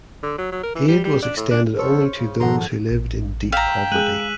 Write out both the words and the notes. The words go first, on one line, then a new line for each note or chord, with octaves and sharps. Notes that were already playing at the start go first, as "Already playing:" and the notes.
Aid was extended only to those who lived in deep poverty.
D3
F#3
F#3
A#4
E3
G3
G3
D4
A2
D4
F2 A4 C5 C#5 C#6 F6
C#3
G#2 D#3 F3 A4 F#5 A#5 C6
A1
F5 G5 A#5 E6 B6 E7
G#3 G#4 F#6 D#7 F#7